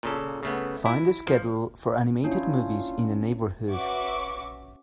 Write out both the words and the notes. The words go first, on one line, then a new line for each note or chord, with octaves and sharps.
Find the schedule for animated movies in the neighbourhood.
A#2 C#3 A4
C#3 A3 B3
E4
F3
A#3 C#4 D4 E4 F4 C#5
C#4 F#4 B4 E5 C#6 D6